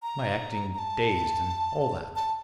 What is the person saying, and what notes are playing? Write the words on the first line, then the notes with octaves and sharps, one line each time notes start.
"My acting dazed and all that?"
A#5
A#5
A5
A5